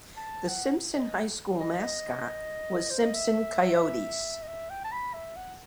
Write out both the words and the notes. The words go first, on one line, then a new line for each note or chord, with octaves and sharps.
The Simpson High School mascot was Simpson Coyotes.
A5
F#5
D#5
D#5
D#5
C5
D#5
E5
D#5
E5
G5
A5
B5
E5
F#5